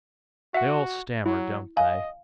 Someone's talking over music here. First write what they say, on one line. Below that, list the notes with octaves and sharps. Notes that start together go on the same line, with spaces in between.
"They all stammer, don't they?"
F#4 E5 F#5
F#3 E4
D#5 F5 G#5